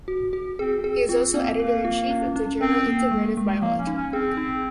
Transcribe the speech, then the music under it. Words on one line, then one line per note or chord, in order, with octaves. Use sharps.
He is also editor in chief of the journal "Integrative Biology".
F#4
F#4
C4 G#4
C4 G#4
C4 F4
A#3 C4
A#3 A#4
F4
C#4
C#4
C4 A#4
A#3
G#3
G#3
F3 A#3
C#4
D#4
C#4
C4 G#4
D#4